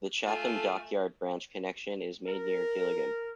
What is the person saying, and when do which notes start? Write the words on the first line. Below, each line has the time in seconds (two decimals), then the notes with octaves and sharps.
The Chatham Dockyard branch connection is made near Gillingham.
0.24 A3 F4 A4 G#5
2.27 A#4